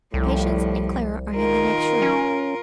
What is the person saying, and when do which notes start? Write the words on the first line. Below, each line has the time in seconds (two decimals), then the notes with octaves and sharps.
Patience and Clara are in the next room.
0.14 C2 A2 F3 G3
1.35 D#3 F4 A#4
2.02 C#4